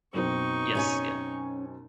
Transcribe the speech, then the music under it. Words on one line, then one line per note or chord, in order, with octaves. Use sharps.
Yes, yeah.
F#2 B2 C4 D#4 C#6
C#4 C#5 G#5